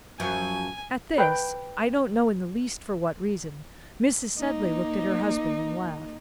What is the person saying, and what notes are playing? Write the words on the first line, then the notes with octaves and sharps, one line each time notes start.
At this, I don't know in the least for what reason, Mrs. Sedley looked at her husband and laughed.
F#2 F3 G#5
B4 G5
A#3 D#4